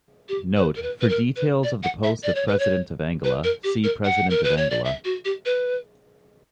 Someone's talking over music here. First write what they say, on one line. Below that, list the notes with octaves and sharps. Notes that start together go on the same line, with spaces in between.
"Note:" For details of the post of President of Angola, see President of Angola.
G4
B4
A#4
B4
B4
A#4
B4
D5
F#5
E5
D5
C#5
B4
C#5
B4
A#4
G4
A#4
F#5
A#4
B4
C#5
D5
E5
F#4
G4
B4